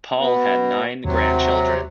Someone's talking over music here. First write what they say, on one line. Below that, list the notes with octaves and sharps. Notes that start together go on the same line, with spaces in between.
Paul had nine grandchildren.
B2
D#2 C3 F#3